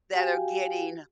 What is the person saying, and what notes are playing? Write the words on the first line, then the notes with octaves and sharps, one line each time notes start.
that are getting
F#4 G4 F5 G5 G#5